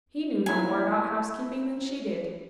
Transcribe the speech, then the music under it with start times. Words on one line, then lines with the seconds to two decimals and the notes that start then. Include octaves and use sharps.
He knew no more about housekeeping than she did.
0.46 A#3 E4 G#5